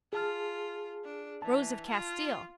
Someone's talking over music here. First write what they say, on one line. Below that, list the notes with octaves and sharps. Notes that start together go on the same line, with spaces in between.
Rose of Castile.
F4 G#4 A5 F6
D4
E3 A5
F4